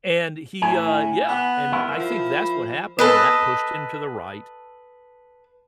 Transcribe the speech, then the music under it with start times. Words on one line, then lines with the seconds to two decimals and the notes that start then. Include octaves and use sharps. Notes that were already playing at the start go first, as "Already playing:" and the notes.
and he, uh yeah, and I think that's what happened, and that pushed him to the right,
0.62 A2 G#5
1.28 B3
1.72 E4 A#4
1.99 F3
2.99 A4 B4 D#5